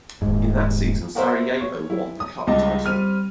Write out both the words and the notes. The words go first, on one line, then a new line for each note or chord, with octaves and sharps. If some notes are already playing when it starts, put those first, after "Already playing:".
In that season Sarajevo won the cup title.
D#1 G#2
B3 F#4 A#4 C5 E5
C#5
E4
D#6
C#2 G3 D#5 A5 D6
G3 C4 F6 D#7